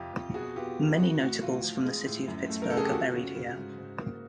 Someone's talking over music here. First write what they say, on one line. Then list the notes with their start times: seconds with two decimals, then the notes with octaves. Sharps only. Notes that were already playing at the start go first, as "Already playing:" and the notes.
Many notables from the city of Pittsburgh are buried here.
Already playing: F2 C3 F4 G4
0.13 F2
0.34 B2 F#4 G#4
0.56 B3 F4 G4
0.77 G#3
0.99 E3 F#4
1.20 A2 F#4
1.42 A2 F4
1.64 F3
1.85 G#3
2.06 A2
2.28 F#2
2.49 A3
2.62 A#4
2.70 C#3 A4
2.77 G#4
2.85 G4
2.92 F3 F#4
3.14 C#3
3.35 C#3
3.57 G#2
3.78 G#2
4.00 A#3